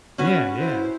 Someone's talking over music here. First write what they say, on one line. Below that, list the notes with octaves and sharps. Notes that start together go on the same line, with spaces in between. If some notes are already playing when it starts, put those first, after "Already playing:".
Yeah. Yeah.
C#4 F#4 B4
E4 C5